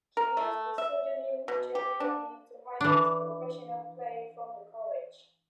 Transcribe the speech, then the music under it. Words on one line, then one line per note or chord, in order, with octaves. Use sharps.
He used the pseudonym "Jerry Denny" to hide his professional play from the college.
A#4
A3
E5
B2
G4
D4
E3 D4